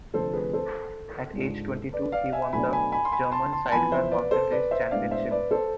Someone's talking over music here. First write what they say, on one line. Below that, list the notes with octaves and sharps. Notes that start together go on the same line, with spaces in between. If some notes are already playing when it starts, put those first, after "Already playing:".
At age twenty-two, he won the German sidecar mountain race championship.
F1 F2 D3 A3 D4 A4 C5
G#4 B4
A4 C5
G#2 G#3 D4 F4
B4 D5
D5 F5
E5 G#5
B1 B2 A3 D4 G#5 B5
G#5 B5
G#5 B5
C6
G#5 B5
A5 C6
A5 C6
A5
F2 E3 B3 G#5 B5
C5 E5
B4 D5
A4 C5
B4 D5
C5 E5
A2 G#3 B3 D4 D5 F5
C5 E5
B4 D5
A4 C5